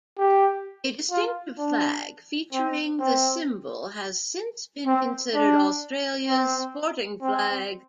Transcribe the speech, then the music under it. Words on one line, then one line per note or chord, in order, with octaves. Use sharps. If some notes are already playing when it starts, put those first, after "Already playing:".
A distinctive flag featuring the symbol has since been considered "Australia's sporting flag".
G4
F4
D4
C4
C4
C4
D4
C4
C4